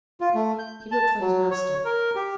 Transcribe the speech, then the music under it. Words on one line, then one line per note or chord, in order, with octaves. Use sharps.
He looked for his master.
F4
A3
G6
A5
F#3
C#5
A#4
G4